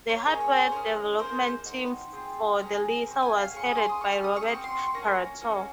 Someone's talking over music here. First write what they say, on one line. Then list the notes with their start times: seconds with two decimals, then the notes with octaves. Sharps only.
The hardware development team for the Lisa was headed by Robert Paratore.
0.09 C#5
0.25 A#3 C#4 G#4 D#5
0.40 C#5
0.57 C5
0.72 C#4 F4 G#4 A#4
1.19 A#3 D#4 G#4 C5
1.65 C4 D#4 F#4
2.12 C4 F4 G#4
2.59 C#4 G#4 A#5
3.07 C4 F#4
3.22 G#5
3.38 F5
3.53 C#4 G#4 C#6
3.65 D#6
3.77 C6
3.89 D#6
4.01 C#4 F4 G#4 C#6
4.12 F6
4.24 D#6
4.36 C#6
4.43 D#6
4.48 C4 F#4 C#6
4.64 C6
4.79 C#6
4.94 A#3 C#4 F#4 A#5
5.42 A#3 C#4 F#4